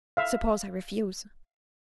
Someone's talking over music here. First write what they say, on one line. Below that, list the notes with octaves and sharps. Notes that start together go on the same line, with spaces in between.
"Suppose I refuse?"
E5 F5